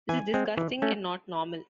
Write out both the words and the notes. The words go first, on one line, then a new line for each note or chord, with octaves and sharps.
This is disgusting and not normal!
E3 G#5
G#3 C4
E3
A3 C#4